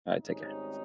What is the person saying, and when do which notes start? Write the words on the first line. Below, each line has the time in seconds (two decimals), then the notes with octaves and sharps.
All right, take care.
0.20 G#1 G#2 G3 C#4 D#4